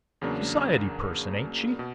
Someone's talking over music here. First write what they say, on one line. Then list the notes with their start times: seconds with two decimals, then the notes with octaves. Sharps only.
"Society person, ain't she?"
0.21 E2 C#3 F#3 A#3 D4
1.79 B2